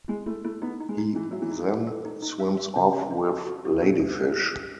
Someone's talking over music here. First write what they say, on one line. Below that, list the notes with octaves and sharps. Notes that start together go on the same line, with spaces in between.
He then swims off with Ladyfish.
G#3 E4
A3 E4
A3 E4
B3 D#4
D#4
G#3
D#4
E3 D#4
F#3 E5
E3
D#4
E5
A4
D#4
D#4
E5
E5
C#3 C#4
C#4
C#4
F#4
F#4
F#4
B2 A4
A3